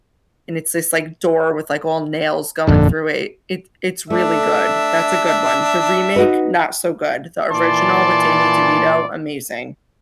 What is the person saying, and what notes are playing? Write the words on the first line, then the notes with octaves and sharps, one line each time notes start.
and it's this, like, door with, like, all nails going through it. It it's really good, that's a good one. The remake, not so good; he original with Danny DeVito, amazing.
G1 F2 A#2 D3
A3 D4 E5
D#4 F#4 B4
A#2 E3 D5 A5 C6